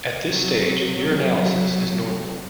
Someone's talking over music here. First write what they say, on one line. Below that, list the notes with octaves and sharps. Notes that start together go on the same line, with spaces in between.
At this stage urinalysis is normal.
C3 F#3